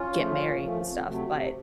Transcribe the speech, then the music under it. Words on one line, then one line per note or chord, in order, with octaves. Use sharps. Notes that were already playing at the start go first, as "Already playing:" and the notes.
get married and stuff, but,
Already playing: C#4 F4
C#3 F3 A3
A#2
F3 A3
F2
C3 F#3 A3
C3